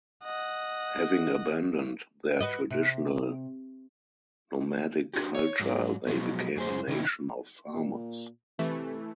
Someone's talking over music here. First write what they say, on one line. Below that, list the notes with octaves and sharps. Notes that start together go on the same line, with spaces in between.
Having abandoned their traditional nomadic culture, they became a nation of farmers.
D#5 F#5
F#4 B4 D#5
C3
D4 F#4 G4
C#5
G#2 F#3
B2 F3 F#3 G#3
F#2 G#4 C5
C3 D#3 C#4 D#4 E4
A#2
C3 E3 A3